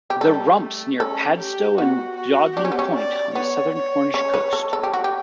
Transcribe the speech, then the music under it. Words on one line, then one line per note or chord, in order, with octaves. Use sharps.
The Rumps near Padstow and Dodman Point on the southern Cornish coast.
G4
G3 A4
A3
C#4 A4
G4
B3 F#4
F#4
D4 G4
C#4
B3
C#4
D5
B3 C#5
C#5
C#4 C#5
B4
A4
A4
G4
F#4
G4